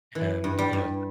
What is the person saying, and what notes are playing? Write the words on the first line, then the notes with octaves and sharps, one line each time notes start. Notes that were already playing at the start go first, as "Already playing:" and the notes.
and, you know
E3
G2
G3
G2